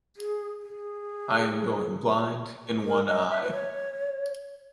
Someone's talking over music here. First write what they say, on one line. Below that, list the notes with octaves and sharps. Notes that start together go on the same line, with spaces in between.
I am going blind in one eye.
G#4
G#4
A#4
D#5
E5
B4
C#5